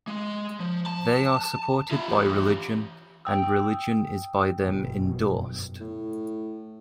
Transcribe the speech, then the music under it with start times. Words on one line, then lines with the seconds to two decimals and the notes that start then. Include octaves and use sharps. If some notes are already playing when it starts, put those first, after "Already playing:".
They are supported by religion; and religion is by them endorsed.
0.08 G#3
0.60 F3
0.86 A5
1.91 F4 E5
2.08 E3 G4
3.25 G5 D#6 E6
4.62 G1 F#2 B2
5.81 A2